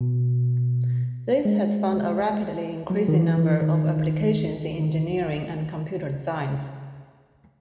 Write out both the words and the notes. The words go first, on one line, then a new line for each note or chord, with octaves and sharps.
This has found a rapidly increasing number of applications in engineering and computer science.
B2
G#3
F#3
D#3
E3
E3
D#3